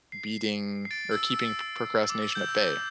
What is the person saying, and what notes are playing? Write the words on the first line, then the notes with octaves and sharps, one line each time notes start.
beating or keeping procrastination at bay.
C7
C7
A6 D7
E6
E6
D6
E6
G6
E6
G6